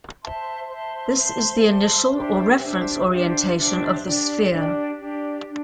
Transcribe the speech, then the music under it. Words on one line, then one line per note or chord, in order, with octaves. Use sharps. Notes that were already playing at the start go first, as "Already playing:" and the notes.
This is the initial or reference orientation of the sphere.
C5 E5 A5 C6
C5 E5 A5 C6
C5 E5 A5 C6
C5 E5 A5 C6
D4 G4 C5 E5
D4 G4 C5 E5
D4 G4 C5 E5
D4 G4 C5 E5
D4 G4 D5
D4 G4 D5
D4 G4 D5
D4